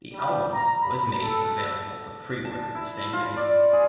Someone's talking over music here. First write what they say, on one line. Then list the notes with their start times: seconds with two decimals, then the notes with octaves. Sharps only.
The album was made available for preorder the same day.
0.14 G3
0.54 A#5
0.82 B5
1.23 A4
2.45 A5
2.75 E4
3.13 F4
3.36 D5
3.73 G#4